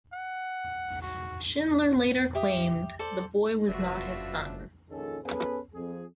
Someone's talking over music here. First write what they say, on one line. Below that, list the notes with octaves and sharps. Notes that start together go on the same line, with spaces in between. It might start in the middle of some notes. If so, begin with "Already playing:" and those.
Schindler later claimed the boy was not his son.
F#5
F#4
G4 E5 D#6
A4 C5 D5
F#1 F3 D4 F4 F#4 B4 E5
A#1 D#3 C#4 F4 G#4 A4
B3 C#4 G#4 A4 B4
F2 G#4